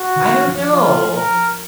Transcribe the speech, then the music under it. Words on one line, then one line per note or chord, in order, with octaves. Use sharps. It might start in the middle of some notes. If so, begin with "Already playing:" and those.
I don't know.
Already playing: F#4
D#3
F3
F3 F4
A#4